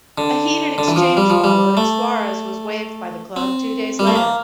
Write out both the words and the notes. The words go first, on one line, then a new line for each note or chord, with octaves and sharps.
A heated exchange followed, and Suarez was waived by the club two days later.
D3
D3
E3
F3
G3
F3
G3
A3
C4
G3
A3
A#3